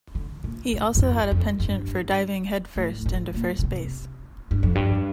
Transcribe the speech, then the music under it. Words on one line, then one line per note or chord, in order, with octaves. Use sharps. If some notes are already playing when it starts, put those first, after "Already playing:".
He also had a penchant for diving headfirst into first base.
D3
A#2
A2
G2
F2
F2
G2
A2
A2
A#2
A#2
C3
G2
F2
G2